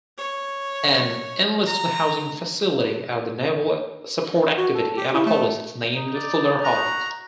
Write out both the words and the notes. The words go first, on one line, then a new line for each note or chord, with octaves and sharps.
An enlisted housing facility at the Naval Support Activity Annapolis is named Fuller Hall.
C#5
A#5
F#4
A4
G4
E4
A3
D#4
D5
F#4 A#5